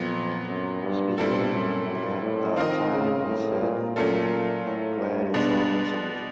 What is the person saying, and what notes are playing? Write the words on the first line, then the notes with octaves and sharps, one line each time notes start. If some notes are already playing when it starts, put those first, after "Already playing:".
Speaking at the time he said I'm glad it's all been sorted.
Already playing: F2 A#2 F#3 B3
F#2
G2
G2 A#2 G3 C4 E4 A4
F#2
F#2
A2
D#3 C4 F4 A#4 D#5
C#3
A2
A#2
A#2 F#3 A3 C#4 F4 A4
A2
G2
B2 G#3 B3 D4